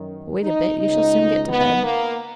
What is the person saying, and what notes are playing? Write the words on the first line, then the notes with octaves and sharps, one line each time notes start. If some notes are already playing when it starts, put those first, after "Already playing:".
Wait a bit, you shall soon get to bed....
Already playing: F#2 D#3
D#4
C#2 B2 D#4
B3
A#3